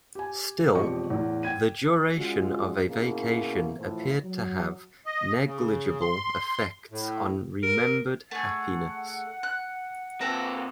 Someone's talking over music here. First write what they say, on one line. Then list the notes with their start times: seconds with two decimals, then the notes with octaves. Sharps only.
Still, the duration of a vacation appeared to have negligible effects on remembered happiness.
0.15 G4 G#5
0.74 E1 F2 G4 D#5 C#6
1.10 E2 A2
1.43 G5 G#6 D#7
2.17 G#3 C#4 F4 F#4
2.88 B2 A#3 C#4 E4 G#4
3.76 A2 E3 F3
4.23 F#3
5.06 D#5
5.46 C#3
6.01 C6
6.91 A2
7.63 A#4
8.31 A3 G#4 F#5
9.43 F#6
10.21 A#2 C4 A4 B4 A#5